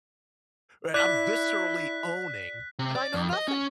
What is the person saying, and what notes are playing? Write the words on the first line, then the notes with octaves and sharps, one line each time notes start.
Right? I'm viscerally owning, and I know nothing.
E4 D5 F#6 B6
C3
D5
F2
D#5
C#4